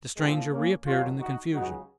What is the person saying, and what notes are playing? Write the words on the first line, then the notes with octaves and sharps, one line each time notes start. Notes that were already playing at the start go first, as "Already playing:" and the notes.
The stranger reappeared in the confusion.
C2 A#2 F3 G#3 C4
A#3 C#4
F2 C3 D#3 F#3 C#4 F4
D#4 F#4
C#2 C#3 F#3 D#4 F#4